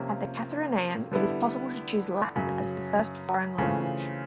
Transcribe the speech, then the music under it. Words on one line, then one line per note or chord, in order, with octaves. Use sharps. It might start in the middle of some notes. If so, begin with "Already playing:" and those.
At the Katharineum it is possible to choose Latin as the first foreign language.
Already playing: C3 F3 A#3 C#4 F4
D3 G3 B3 E4
F#2 C#3 F#3
C#3 E3 A3 C4 F4